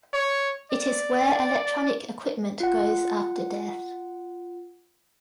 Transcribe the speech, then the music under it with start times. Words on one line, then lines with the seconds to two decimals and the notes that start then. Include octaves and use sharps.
It is where electronic equipment goes after death.
0.13 C#5
0.71 D5
2.60 F4 F#5